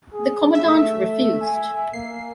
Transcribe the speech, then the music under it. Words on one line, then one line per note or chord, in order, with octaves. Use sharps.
The commandant refused.
G#4
A3 E5
G#5
A#3 C7